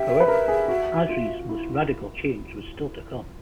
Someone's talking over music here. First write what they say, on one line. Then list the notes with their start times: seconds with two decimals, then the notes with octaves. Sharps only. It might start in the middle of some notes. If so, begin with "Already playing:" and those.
However, Asri's most radical change was still to come.
Already playing: G4 E5
0.20 B4
0.28 A#4
0.48 G#4
0.68 F#4
1.09 F4
1.49 E4